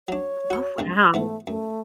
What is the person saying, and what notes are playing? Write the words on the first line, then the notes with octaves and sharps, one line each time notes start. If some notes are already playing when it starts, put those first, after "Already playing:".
Oh, wow.
F#3 D4 C#5
F#4 C#6
C2 G2 G#3
G#2 E3 A3 B3
F#2 A3